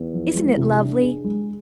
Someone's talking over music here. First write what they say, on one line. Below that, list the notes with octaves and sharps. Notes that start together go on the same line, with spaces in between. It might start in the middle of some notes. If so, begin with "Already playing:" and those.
Isn't it lovely?
Already playing: E2
F3
G#3
C3
D4
G#4
G#3